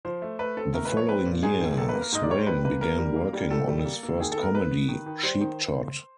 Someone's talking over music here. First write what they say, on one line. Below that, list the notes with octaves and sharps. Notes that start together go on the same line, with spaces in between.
The following year, Swaim began working on his first comedy, "Cheap Shot".
F3 C5
A3
A3 B4
C4 A4
A3 A#4
B4
F3
C#5
C4 B4
A#2
G#2 G#4
D#3
A#3 A4
B4
A#3
A#4
G#2 D#5
D5
G3 C#5
C5
D#3 B4
A#3 B4
A#3 A#4
G3
A#3
G3
A2 A4
G3
A#3
A#3
D#3 G#4
A4
B3
A#4
B3 B4
B3
D#3
D#3
G3 C5
D#3